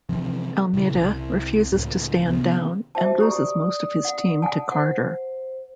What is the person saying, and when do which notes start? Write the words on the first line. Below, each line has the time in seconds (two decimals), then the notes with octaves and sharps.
Almeida refuses to stand down and loses most of his team to Carter.
0.09 C3 E3 F3 C4
0.73 A#2 C#3 E3
0.94 C2
1.72 C#2 A2
2.26 C3 D#3 B3
2.95 F#4 C5 E5 G5 A5
3.20 G4 D5 A#5 D#6
4.05 F#5
4.42 F#5 G#5 A5
4.72 C5 F#5